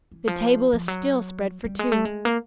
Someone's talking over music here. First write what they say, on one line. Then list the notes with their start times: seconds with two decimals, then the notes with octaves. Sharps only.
The table is still spread for two.
0.12 E3
0.28 F3
0.73 F3
0.88 F#3
1.65 G3
1.79 G#3
1.92 A3
2.05 G#3
2.25 A#3